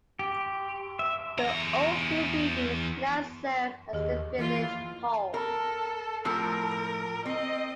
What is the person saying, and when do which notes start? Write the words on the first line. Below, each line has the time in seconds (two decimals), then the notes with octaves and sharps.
The old school buildings now serve as the Village Hall.
0.19 G4
0.99 E5
1.38 E2 A#5
3.93 D#2 G4 G#4 D#5
4.39 E3 A#3 F4
5.34 A4 A#4
6.25 A2 F3 A4 A#4
7.26 C4 D#5